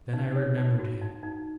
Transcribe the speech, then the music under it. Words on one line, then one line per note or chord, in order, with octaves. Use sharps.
Then I remembered him.
D#4
C#5
D#4
F#4
D#4
D#4